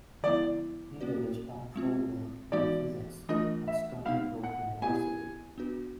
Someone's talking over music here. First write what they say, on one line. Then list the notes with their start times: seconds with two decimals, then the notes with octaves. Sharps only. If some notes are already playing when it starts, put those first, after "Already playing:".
He did his doctoral work in physics at Stony Brook University.
0.23 D3 F3 G#3 B3 E4 D5
1.00 A#3 C#4 F#4 B4 D5
1.76 G#3 C4 F4
2.52 E3 G#3 B3 D#4 F#4 D5
3.29 E3 A3 D4 F4 A#4 D#5
3.68 E5
4.05 G#3 B3 D#4 F5
4.43 F#5
4.82 B3 E4 G4 G#5
5.58 B3 D4 F#4 B4